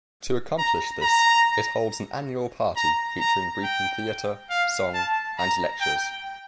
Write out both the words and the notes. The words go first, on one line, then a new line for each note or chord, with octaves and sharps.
To accomplish this, it holds an annual party featuring Breton theatre, song, and lectures.
A#5
A#5
A#5
A#5
G5
F5
A5
A#5
G5